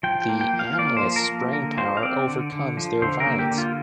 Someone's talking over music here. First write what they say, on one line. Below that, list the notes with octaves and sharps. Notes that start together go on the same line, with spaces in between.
The analyst's brainpower overcomes their violence.
F3 G5
G5
A#3
G5
F3
F5
A#3 D5
C5
F3
A#4
A#3
D3 A#4
F3 C5
F5
C4 D5
D3
D3
F3
D3 C5
A#4
A#3
G4
D3
F4